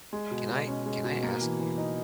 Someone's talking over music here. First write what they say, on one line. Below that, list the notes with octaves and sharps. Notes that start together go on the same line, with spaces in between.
can I can I ask you,
G#3
B2
B2
C#4
G#3
B2
A#3
E3
E3
D#4